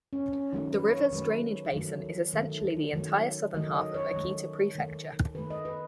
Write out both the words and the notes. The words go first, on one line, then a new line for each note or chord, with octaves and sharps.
The river's drainage basin is essentially the entire southern half of Akita Prefecture.
C#4
C#4
D#3 F#3 A3 D#4
B4
C#5
D#3 F#3 A3 B4
D#3 F#3 A3
D#3 F#3 A3
D#3 F#3 A3
D#3 F#3 A3 D#5
D#5
C#5
D#3 F#3 A3
D#3 A3
D#3 A3 B4
D#5
B4